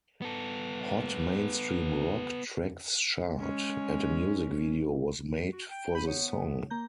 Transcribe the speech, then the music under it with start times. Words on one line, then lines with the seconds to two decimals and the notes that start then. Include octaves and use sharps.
Hot Mainstream Rock Tracks chart, and a music video was made for the song.
0.22 B3 A4
3.38 G#3 C#4
5.53 F#4
5.70 G5
5.95 B5 G6 D#7
6.07 B3 C#5
6.70 A#3 A#5 G6